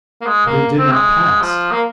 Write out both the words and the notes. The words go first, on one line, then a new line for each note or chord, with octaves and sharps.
But it did not pass.
A#3
G#3
A#3
C4
G#3
F3
A#3